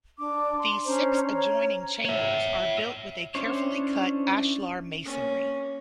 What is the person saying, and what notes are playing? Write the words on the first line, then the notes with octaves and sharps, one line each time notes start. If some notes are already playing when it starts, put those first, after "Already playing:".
These six adjoining chambers are built with a carefully cut ashlar masonry.
D4 D6
C6
C#4 D4 C5 A#5
C#5 A#5
C#5 E5
C#4 D4 E4 C5 C#5
A#3 C#4